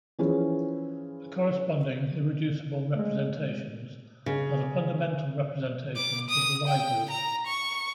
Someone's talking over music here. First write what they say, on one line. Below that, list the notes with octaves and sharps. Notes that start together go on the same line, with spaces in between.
The corresponding irreducible representations are the fundamental representations of the Lie group.
E3 F3 C#4 E4 F4 G#4
G#3 A3
C#3
D6
D#6
G5
A#5
C#6